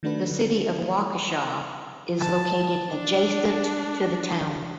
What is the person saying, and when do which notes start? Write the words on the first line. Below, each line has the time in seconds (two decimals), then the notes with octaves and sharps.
The City of Waukesha is located adjacent to the town.
0.03 D#3 A3 D4 F#4 B4
0.31 D3
2.20 A5
2.90 D4